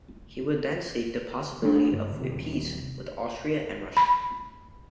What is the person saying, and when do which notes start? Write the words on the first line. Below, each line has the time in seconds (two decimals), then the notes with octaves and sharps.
He would then seek the possibility of a peace with Austria and Russia.
1.62 G#3 A3 D4
1.92 G2 C#3
2.17 D#1 C3
3.97 B5